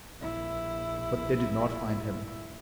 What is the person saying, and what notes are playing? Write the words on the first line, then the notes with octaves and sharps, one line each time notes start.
But they did not find him.
A#1 E4